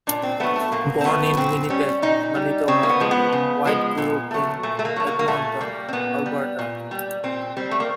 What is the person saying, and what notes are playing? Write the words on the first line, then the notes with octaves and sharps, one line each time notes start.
Born in Winnipeg, Manitoba, Whyte grew up in Edmonton, Alberta.
A#2 D4
C4
F#3 A3 B3
A3
A#2 A#3
C4
F#3 A3 B3
A#2 C4
G3 C#4
A#2 D#4
G3
C#3 C4
A#3
B3
F3 G#3
B3
C#3
F3 G#3
A#2
F#3 A3
A#2 A3
A3
A#3
F#3 A3
A#3
A#3
A#2 A3
G3 A#3
C4
A#2 B3
G3
A#2
G3
A#2 C4
G3 C4
A3
A#3